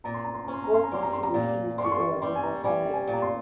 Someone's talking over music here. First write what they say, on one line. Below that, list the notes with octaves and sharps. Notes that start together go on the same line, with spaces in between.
Workers who refused the order were fired.
A#2 A#5
C6
A#5
C6
C#4 A#5
C6
A#5
C6
A#5
G3 C6
A#5
C6
A#5
A#2
G3 C6
C#6
C6
C#6
G3 C6
G#5
A#5
G3 G#5
G#5
A#2
A#5
C6